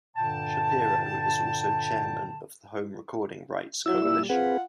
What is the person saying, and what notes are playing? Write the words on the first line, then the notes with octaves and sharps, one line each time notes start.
Shapiro is also chairman of the Home Recording Rights Coalition.
G2 A#2 D3 G5 A5
F#3 E4 E6
A#2 G3
C4 F4 G#4 B4 F#5